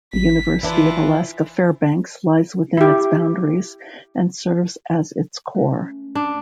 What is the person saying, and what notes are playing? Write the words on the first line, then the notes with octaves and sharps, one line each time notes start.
The University of Alaska Fairbanks lies within its boundaries and serves as its core.
G#1 B6
E3 D4 E4 F4
E4 G4
A3 C#4
D4